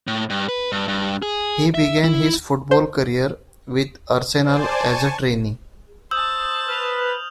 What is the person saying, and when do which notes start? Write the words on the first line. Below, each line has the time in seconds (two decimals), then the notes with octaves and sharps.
He began his football career with Arsenal as a trainee.
0.07 A2
0.30 G2
0.49 B4
0.72 G2
0.88 G2
1.22 G#4
1.74 E5
2.04 E4
2.71 C5
4.41 C5 D5 G#5 A5
4.77 G#5 A5 C#6
6.11 C5 A5 D#6 E6 G6 F#7
6.68 B4 F6 F7